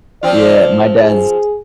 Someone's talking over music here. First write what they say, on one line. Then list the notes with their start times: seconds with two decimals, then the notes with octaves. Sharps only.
Yeah, my dad's
0.23 F3 C4 F4 D5
0.99 G#4